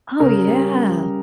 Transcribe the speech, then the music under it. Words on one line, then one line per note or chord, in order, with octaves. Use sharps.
Oh, yeah.
C#3 A#4
G3